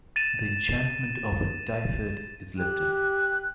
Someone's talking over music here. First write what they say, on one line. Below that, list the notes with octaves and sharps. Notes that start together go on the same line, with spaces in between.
The enchantement over Dyfed is lifted.
A6 D#7 E7
G4 F#6